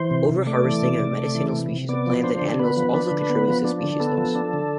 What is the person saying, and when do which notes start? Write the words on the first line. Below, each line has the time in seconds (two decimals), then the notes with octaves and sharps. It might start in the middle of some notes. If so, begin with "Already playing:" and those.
Overharvesting of medicinal species of plants and animals also contributes to species loss.
Already playing: E3 C5
0.11 C3
0.30 C3
0.47 A3 D5
0.64 E3
0.82 C3
1.00 C3
1.17 A3
1.35 E3
1.52 C3
1.71 C3
1.89 B3 D5
2.06 F3
2.23 D4 C5
2.41 D3
2.59 B3 B4
2.77 F3
2.94 D4
3.11 D3
3.30 B3
3.48 F3
3.65 D4
3.83 D3
4.00 B3 A4
4.17 F3
4.35 D4
4.53 D3